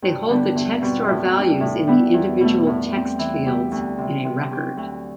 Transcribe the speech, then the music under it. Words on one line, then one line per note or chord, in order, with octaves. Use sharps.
They hold the text or values in the individual text-fields in a record.
G2
D3 G3 B3 D4
E2
B2 G3 C4 F#4
A2
G3 D4
A2
G3 B3 E4
E2
B2 A3
A2
G3 C4
E3
B3 E4 G4
D2
C3 E3
C3
F#3 C4 G4
D2